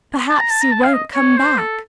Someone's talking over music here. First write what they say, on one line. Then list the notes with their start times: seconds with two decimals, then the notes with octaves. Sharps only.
"Perhaps you won't come back?"
0.29 A5
0.40 A#5
0.50 A5
0.61 A#5
0.72 A5
0.83 F5
0.93 D#5
1.15 C#5
1.37 C5
1.58 A4